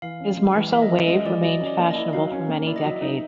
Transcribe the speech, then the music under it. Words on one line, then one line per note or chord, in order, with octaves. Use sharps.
His Marcel Wave remained fashionable for many decades.
E3 F5
C#4
G#3
E3
E3 E5
D#5
C#4 E5
G#3 D#5
E3 D5
F#3 D#5
C#4
D5
A#3 D5
D#5
E4
F#3 F5
C#4
A#3
E4 D5
D#5
F#3 E5
D#4